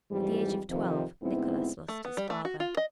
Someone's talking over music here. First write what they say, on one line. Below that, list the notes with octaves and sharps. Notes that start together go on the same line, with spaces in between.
At the age of twelve Nickolas lost his father.
F2 G#2 E3 G3
F2 C3 D#3 F3
D2 G#2 B3 C4 E4
A3
B3
G3
A3
F#4
F4
D#5